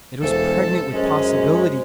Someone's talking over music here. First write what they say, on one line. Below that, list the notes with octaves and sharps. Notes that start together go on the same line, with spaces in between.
It was pregnant with possibilities.
E1 A4 C5
F#2 G#3 C#4 C5